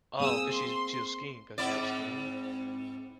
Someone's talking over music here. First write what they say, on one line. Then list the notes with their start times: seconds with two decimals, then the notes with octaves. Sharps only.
Oh, 'cause she's she was skiing 'cause she was skiing?
0.19 A#3 C4 G#4 D#6 E6
0.50 C6
1.58 G#2 C4 E4 D5